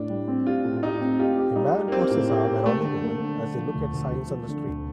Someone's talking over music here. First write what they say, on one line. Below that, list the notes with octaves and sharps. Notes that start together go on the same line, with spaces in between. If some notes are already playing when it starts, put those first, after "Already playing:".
A man puts his arm around a woman as they look at signs on the street.
Already playing: A2 D4
G3
C4
F4 G4
A2
F4
D#4 G4
C4
F4 G4
G4
G3 D#4
G4
A#3
C4 G4
A2
A#3 G4
G4
A3 A#3
D3
A#3
D3
D3
F3
D2
D2
F3
F3
D3
D2